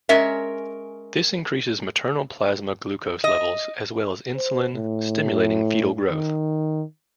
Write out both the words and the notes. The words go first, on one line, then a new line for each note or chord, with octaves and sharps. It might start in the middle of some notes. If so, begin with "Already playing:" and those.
This increases maternal plasma glucose levels as well as insulin, stimulating fetal growth.
G#3 C#4 A#4 E5
D#5
C5
A2
D#3